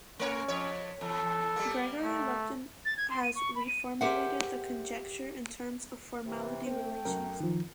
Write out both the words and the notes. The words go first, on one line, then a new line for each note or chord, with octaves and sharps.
Gregory Lupton has reformulated the conjecture in terms of formality relations.
A3 C#4 C#5
F2 C#5
E2 A4
G3 A#3
A3
A6
G#6
C6
D#7
C#6
B5
D#7
G4 G#4 A#4 C5 E5 F#5
C3 E3
A3 C4 G5
F#2 A#4
D#3 F3